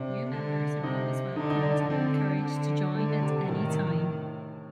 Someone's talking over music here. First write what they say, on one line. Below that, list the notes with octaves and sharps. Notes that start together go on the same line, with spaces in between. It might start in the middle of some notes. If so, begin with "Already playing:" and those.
New members are always welcomed and encouraged to join at any time.
Already playing: C3 D4
D3
C3 D#4
D3 D#4
D#4
D4
D3 C4
D3
D3 A3
C3
A2 D#3